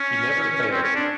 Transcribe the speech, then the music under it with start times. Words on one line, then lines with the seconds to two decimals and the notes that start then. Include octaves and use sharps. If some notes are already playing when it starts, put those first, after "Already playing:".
He never failed.
Already playing: C#4
0.71 C4
0.83 C#4
0.95 D4